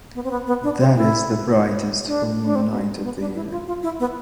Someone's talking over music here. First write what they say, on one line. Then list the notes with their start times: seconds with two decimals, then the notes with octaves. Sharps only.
That is the brightest full moon night of the year.
0.15 B3
0.24 C4
0.31 B3
0.47 B3
0.63 D4
0.79 C4
0.95 E4
2.07 D4
2.45 D4
2.55 C4
2.71 B3
3.03 B3
3.20 D4
3.35 E4
3.51 F4
3.67 F4
3.83 E4
4.00 B3